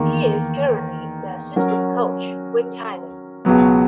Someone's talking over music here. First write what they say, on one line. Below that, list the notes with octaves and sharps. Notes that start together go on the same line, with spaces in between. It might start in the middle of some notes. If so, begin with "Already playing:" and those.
He is currently the assistant coach with Thailand.
Already playing: E2 D#3 A#3
F#3 C#4 F#4 A#4
C#2 B2 F#3 B3